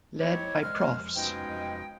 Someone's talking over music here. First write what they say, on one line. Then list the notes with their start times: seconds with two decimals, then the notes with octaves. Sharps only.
Led by Profs.
0.20 C4 D#4 E4 G4 C#5
0.63 C2 G#3 F6
1.16 B2 F3 G#3 C#4 D#4 G5